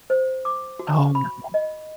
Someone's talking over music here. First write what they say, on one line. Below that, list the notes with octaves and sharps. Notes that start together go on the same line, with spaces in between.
Oh, no.
C5
D6
F#4
C#6
B5
D#5